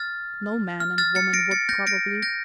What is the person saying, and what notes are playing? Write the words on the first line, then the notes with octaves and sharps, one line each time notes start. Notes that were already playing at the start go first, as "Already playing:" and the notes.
No man and woman, would, probably.
Already playing: F6 A6
F6
F6 A6
A6 C#7
A#6 D7
A6 C#7
G6 A#6
A#6 D7
G6 A#6